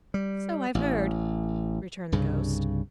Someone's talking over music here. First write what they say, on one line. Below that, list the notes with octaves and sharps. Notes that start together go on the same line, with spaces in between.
"So I've heard," returned the ghost.
G3
A1
C2 G2 C#3